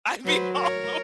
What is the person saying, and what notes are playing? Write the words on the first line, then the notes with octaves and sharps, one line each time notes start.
I'd be all over
F#3 B4 C5
A#4 C#5